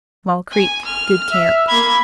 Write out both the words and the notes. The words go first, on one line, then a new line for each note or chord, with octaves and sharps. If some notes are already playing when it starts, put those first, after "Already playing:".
Small Creek.--Good camp.
G#5
F6
E5
A#3 B5 G#6